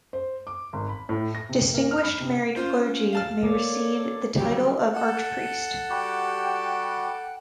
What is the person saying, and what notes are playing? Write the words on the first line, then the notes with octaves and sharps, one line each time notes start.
Distinguished married clergy may receive the title of archpriest.
C5
D6
G#1
B5
A2
A#6
C3
A#3
F6
B5
C3
A#3 C#4 F4 C5
F5 A5 F6
A#3 A4 C#5 D5
A2 D3 F#3 G3 G4
A4 F#5
G3 F#4 G4 G5